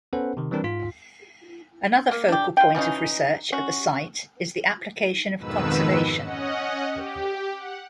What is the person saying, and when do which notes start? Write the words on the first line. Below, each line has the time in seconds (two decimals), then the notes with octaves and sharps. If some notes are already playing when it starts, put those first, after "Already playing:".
Another focal point of research at the site is the application of conservation.
0.13 B3 C#4 A4 B4 C5 F#5
0.37 C3 D#3
0.51 E3 G3 C4 D4 A#4 B4
0.64 G#2 F4 B6
2.11 A#3
2.29 D4 G4
2.57 F4 G5
2.75 E3 F3 C#4 D#4
3.52 C#4 F#4
5.38 F2 G#2 B2 D#3 B4 E6
6.21 C#4 D#5 F#5
6.92 G4
7.56 F#5